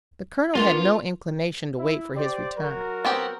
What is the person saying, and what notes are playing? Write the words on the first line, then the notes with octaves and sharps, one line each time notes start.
The colonel had no inclination to wait for his return.
A#3 B3 D4 F4 C6
E4
G4 C5 D5
F#3 F#4 A#4
B3 C4 G4